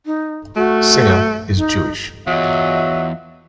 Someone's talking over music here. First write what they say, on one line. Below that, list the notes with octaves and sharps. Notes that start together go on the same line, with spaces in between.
Singer is Jewish.
D#4
A3 F#4
D#4
E2 F#3 F4 D#5 E5